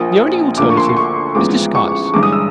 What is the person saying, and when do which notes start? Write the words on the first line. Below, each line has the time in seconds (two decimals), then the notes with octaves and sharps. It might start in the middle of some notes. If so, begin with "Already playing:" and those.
The only alternative is disguise.
Already playing: A#1 A#2 F3 A#3 D#6
0.57 D2 D3 F3 A#3 D6
0.70 C#6
0.77 C6
0.89 C6
0.97 C#6
1.35 A1 G#2 F3 G#3 B3 D6
1.75 C#6
2.14 G1 G2 E3 G#3 D6
2.23 D#6
2.32 E6